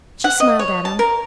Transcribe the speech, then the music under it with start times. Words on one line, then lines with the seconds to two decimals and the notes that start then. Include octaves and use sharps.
She smiled at him.
0.24 F#5
0.40 D#5
0.59 C#5
0.85 A5
0.99 A#4